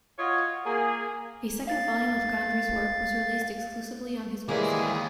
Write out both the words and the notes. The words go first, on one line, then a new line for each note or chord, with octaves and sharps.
A second volume of Gondry's work was released exclusively on his website.
F4 F#4 C#5 D#5 F5
A#3 G#4
F5 A6
D#3 E3 G3 G#3 A#3 G#4 C#5